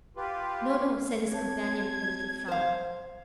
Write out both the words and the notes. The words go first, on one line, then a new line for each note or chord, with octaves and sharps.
"No, no," said his companion, with a little frown.
F4 G4 B4
C4 C#5 A5 G#6
C5 F5